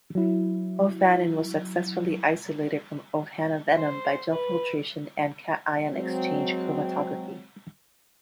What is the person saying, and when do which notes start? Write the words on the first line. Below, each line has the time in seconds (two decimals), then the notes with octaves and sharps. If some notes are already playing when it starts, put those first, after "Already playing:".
Ophanin was successfully isolated from "O. Hannah" venom by gel filtration and cation-exchange chromatography.
0.15 F#3 E4
3.75 C5
4.32 B4
5.92 F#3 G#3 C4